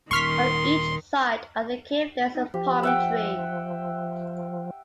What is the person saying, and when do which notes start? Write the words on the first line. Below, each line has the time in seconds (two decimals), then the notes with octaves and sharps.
On each side of the cave there is a palm tree.
0.11 D#1 D#3 C6 C#6 F6 B6
2.35 D#4
2.54 F3 G4
2.83 E5 F#5 G5